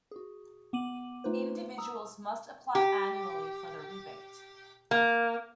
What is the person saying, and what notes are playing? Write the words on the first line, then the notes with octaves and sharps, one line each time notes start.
Individuals must apply annually for the rebate.
F#4 G#4
B3 D6 D#7 F#7
A3 D#4 F4 B4 C5
A#5 D#6 E6
G4
A#3